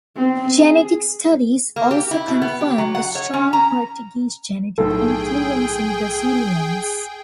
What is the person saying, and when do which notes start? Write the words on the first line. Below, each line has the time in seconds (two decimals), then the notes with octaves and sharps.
Genetic studies also confirm the strong Portuguese genetic influence in Brazilians.
0.16 C4
0.59 G#4
1.76 A#3
1.91 G4
2.11 E4
2.28 B2
2.42 B3
2.61 G4
2.78 F#3
2.95 F#5
3.15 C#5
3.33 C#4
3.53 A#5
4.78 B1 A2 G#4 A4 G5